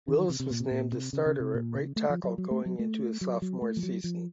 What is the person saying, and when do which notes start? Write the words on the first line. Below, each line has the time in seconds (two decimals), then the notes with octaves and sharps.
Wills was named the starter at right tackle going into his sophomore season.
0.08 D#3
0.29 C3
0.40 C3
0.51 A#2
0.60 C3
0.71 A#2
0.92 C3
1.13 C#3
1.26 C#3
1.40 C3
1.54 A#2
1.75 C#3
1.96 A3
2.10 F3
2.24 F#3
2.38 F#3
2.51 A3
2.66 F#3
2.79 A3
3.21 F#3
3.42 F#3
3.62 A3
3.77 F3
3.83 F#3
4.04 F3